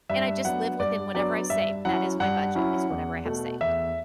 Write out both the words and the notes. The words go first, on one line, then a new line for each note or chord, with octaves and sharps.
and I just live within whatever I save, that is my budget, is whatever I have saved.
G2 E5
F#3 B3 D4 F#5
G2 D5
F#3 B3 D4 D5
G2 E5
F#3 C#4 E4 F#5
G2 F#5
F#3 C#4 E4
E2
B2 A3
E2 E5